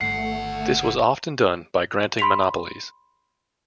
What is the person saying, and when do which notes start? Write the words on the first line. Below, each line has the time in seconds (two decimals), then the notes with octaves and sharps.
This was often done by granting monopolies.
0.01 G1 D2 D#3 A3 F#5 C7
2.19 B5 C6 B6 F7